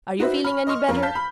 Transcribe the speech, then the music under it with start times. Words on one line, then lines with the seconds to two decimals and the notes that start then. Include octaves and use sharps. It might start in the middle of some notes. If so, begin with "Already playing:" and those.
Are you feeling any better?'
0.19 D#4 F#4 B4 C5 E5
0.44 B5 F6
0.67 D#5 C6 C#6 F6
0.87 F2 A#4 F5
1.02 F5 A5 G6 B6
1.15 B5